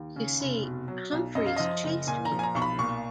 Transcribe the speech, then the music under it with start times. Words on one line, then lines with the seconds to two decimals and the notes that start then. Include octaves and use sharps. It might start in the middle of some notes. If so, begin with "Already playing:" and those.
You see, Humphreys chased me that night.
Already playing: D#2
0.16 C#3
0.40 F1
0.63 B2
0.88 F#3
1.12 B1
1.35 F#2 D#5
1.46 F5
1.56 F3 D#5
1.83 F#1
2.07 A#2 G#5
2.25 A#5
2.32 F3
2.39 G#5
2.43 A#5
2.55 B1 C#6
2.62 B5
2.79 A#2 C#6